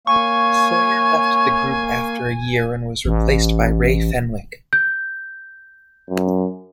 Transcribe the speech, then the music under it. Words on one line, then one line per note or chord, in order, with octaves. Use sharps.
Sawyer left the group after a year and was replaced by Ray Fenwick.
A#3 C#5 F5 G#5 C#6
A1
G6
F#2